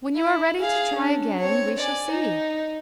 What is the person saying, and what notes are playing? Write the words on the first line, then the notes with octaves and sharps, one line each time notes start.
"When you are ready to try again, we shall see."
E4
G#4 F5
C#4 D4
C4 C#5
D5 G#5
D#4